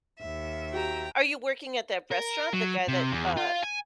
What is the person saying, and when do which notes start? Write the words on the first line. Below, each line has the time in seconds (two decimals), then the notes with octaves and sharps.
Are you working at that restaurant, the guy that, uh,
0.18 D#2 E5
0.73 F#4 G4 G5 A#5
2.12 A#4
2.53 F#3
2.88 C3
3.13 E2
3.37 F4
3.64 G#5